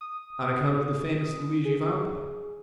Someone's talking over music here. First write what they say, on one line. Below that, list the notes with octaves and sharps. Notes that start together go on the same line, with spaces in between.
"On account of the famous Luigi Vampa."
D#6
G#4